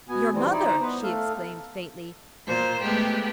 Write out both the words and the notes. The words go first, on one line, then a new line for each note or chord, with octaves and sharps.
"Your mother!" she exclaimed faintly.
B2 B3 G#5
E3 G3 C4
D#4 E4 D5
D#4 C5 A#5
B3 B4
A3 A4 F5
A#2 C5
G#3 A3 B3 G4